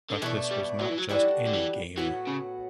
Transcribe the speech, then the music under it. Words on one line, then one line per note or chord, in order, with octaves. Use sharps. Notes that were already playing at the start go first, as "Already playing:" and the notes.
But this was not just any game.
D3
B2 E3 A3 D4
G3
F#3
E3
F#3
E3 G3 D4 F#4 A4
D3
E3
A2 E3 F#3 B3 F#4
C#3